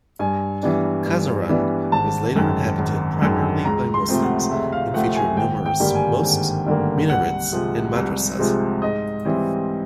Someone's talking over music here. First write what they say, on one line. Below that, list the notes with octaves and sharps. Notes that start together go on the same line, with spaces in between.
Khazaran was later inhabited primarily by Muslims and featured numerous mosques, minarets, and madrasas.
G2 G#5
E3 G3 B3 D4
G2
E3 G3 B3 D4
G#1 A5
F#2 D#3 G#3
G#1
F#2 D#3 G#3
C#2 A#5
C6
C3 F3 A3 C4
F#5
C#2 E5
F5
C3 F3 A3 C4 F#5
G#5
G#1 G5
G5
G2 D3 G3 A#3
G#5
G#1
G2 D3 G3 A#3
C2 F#5
C3 F3 G#3
C2
C3 F3 G#3
G#2 D#5
E3 G3 C4